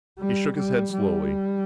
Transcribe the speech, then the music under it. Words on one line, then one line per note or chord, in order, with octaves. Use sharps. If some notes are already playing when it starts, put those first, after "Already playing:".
He shook his head slowly.
G3
G3
G3